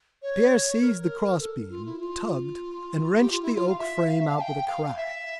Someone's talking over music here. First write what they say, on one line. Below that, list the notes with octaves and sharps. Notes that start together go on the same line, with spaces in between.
Pierre seized the crossbeam, tugged, and wrenched the oak frame out with a crash.
C#5
A#4
A#4
A#4
A4
F4
E4
F4
G4
F4
E4
F4
F5
E5
F5
E5
F5
A5
G5
F5
E5